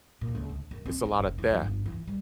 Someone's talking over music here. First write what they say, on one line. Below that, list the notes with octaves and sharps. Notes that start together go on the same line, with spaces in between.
It's a lot of theft.
A#2
C#2
D2
F#2
C4
F4
F#1
E3
F3
G1
E3
G3